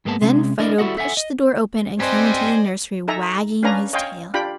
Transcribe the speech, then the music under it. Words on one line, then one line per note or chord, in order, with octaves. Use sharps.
Then Fido pushed the door open and came into the nursery wagging his tail.
G#2 G#3 A#3 B3 A4 A5
C3 G#3 C#4
D4 E4 A#4 D5 D#5
G3 E4 F#4 A4 D#5 F#5
A4 E5 F#5 G#5
D#5
C4 G4 B4 C5 D5 D#5 G#5
D#4 A4 E5 G#5 A#5
C#4 D4 B4 F5 G#5 A#5
C#5 D#5 F5 G5 G#5 C6
D4 F4 G4 G5 B5